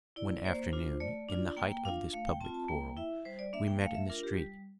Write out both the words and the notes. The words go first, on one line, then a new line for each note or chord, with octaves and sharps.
One afternoon, in the height of this public quarrel, we met in the street.
E4 D5
D5
A#3 C5
D4 F4
A3 D5
D4 F4
A#3 G5
G5
D4 F4 F5
A3 F5
G5
C4 F4 A5
A5
A#3 G5
E4 E5
G3 C5
D5
A#3 D4 E5
G5
A3 F5
E5
D4 F4 A#4
G4
G3